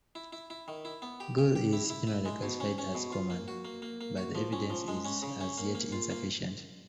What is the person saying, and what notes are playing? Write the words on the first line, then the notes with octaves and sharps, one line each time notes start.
Gule is generally classified as Koman, but the evidence is as yet insufficient.
E4
E4
E4
D#3
E4
B3
G4
G4
G4
E4
E4
E4
G#3
B2
C#4
C#4
B2
F4
A#3
F#4
A#3
A#3
A#3
F#4
F3
C#4
F3
G#3
C#4
C#3
C#4
A#3
A#3
F4
A#3